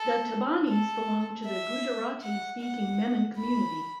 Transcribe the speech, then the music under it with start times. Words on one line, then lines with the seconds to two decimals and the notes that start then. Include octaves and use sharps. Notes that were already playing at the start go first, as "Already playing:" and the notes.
The Tabanis belong to the Gujarati-speaking Memon community.
Already playing: A4
0.69 A4
1.46 E5
2.23 F#5
2.61 F#5
3.38 B5